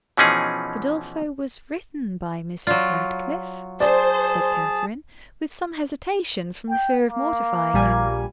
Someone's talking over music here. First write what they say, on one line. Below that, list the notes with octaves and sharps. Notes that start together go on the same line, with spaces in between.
"Udolpho was written by Mrs. Radcliffe," said Catherine, with some hesitation, from the fear of mortifying him.
B2 E3 F3 C#4 D#4 G#4
F#3 F4 D5
G#4 C5 D5 A5
G5
A#3
A#1 G3 G#5